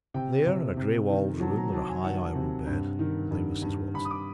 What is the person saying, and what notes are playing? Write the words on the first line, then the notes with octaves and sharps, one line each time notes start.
There, in a gray-walled room in a high iron bed, lay Mrs. Watson.
C3 G5
C3
C3
D#3
F#3 A5
A5
A#5
F#3 A5
G#5
D#3 F#5
C3
G2
D#3
G2
G2
G2 B5
D#6
D6